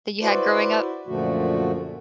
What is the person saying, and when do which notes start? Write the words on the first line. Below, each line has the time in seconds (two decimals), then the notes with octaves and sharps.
that you had growing up?
0.22 E4 F#4 B4 C5 D5
1.07 F#2 A#2 D3 F3 A3 F#4